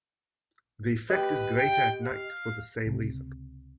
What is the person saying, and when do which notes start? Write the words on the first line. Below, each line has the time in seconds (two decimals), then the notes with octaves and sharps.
The effect is greater at night for the same reason.
1.10 G4 B4 D#5
1.57 G5
2.03 F5
2.86 C#2 C3